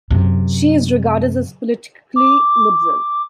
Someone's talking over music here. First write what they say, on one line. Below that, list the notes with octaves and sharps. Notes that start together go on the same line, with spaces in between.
She is regarded as politically liberal.
F#2 C3
D6